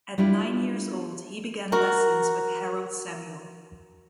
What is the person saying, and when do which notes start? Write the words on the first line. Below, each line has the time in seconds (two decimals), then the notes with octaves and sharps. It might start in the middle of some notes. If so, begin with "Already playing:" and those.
At nine years old he began lessons with Harold Samuel.
0.18 G3 D4 E4 F4
1.72 F#4 A#4